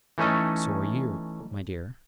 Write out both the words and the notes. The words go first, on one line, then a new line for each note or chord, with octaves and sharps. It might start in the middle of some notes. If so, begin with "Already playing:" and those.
So are you, my dear.
E3 A3 C#4 D#4 A4